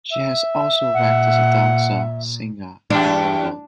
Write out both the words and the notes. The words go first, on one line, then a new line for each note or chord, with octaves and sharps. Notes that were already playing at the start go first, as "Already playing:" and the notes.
She has also worked as a dancer, singer, and model.
E5
A#2 F#5
E2 D4 G4